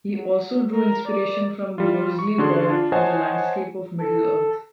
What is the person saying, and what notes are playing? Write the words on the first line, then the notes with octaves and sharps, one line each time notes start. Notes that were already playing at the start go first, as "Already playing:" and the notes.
He also drew inspiration from Moseley Bog for the landscape of Middle-earth.
F#3
A#4
D5
G3 F4
C#6
D3 C#4 D4 F#4 G#4 C6
D4 F4
C5 C#5 D#5 F#5 G#5 A5
A4